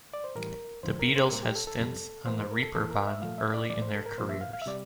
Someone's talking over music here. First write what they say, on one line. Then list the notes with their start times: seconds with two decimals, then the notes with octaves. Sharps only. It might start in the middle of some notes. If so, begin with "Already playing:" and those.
The Beatles had stints on the Reeperbahn early in their careers.
0.14 D5
0.24 C5
0.35 A2 E3 G3 A#4
0.83 F2 D3 F3 C5
0.99 A#4
1.16 C5
1.31 A2 G3 A#3 A#4
1.43 G4
1.55 A4
1.67 A4
1.80 F2 C3 G3
2.26 A2 E3 A#3 C5
2.39 C5
2.51 A#4
2.63 A4
2.75 E2 E3 A#3 A4
2.91 A#4
3.07 E5
3.22 A#2 F3 A3 F5
3.38 E5
3.54 D5
3.70 A2 E3 A3 D5
3.82 C5
3.94 A4
4.06 A#4
4.18 A#2 F3 A#3 C5
4.29 E5
4.41 F5
4.53 F5
4.62 E5
4.66 C3 G3 D5